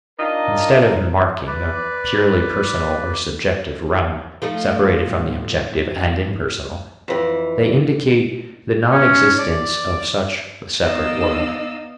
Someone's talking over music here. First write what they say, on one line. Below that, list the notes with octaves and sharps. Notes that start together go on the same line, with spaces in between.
Instead of marking a purely personal or subjective realm, separated from the objective and impersonal, they indicate the non-existence of such a separate world.
D4 D#4 F4 A#4
B4 D5
F3 A3 D#4
G1 A2
F2 E3
C#4
D5
B3 D#4 D5 D#5 F5 E6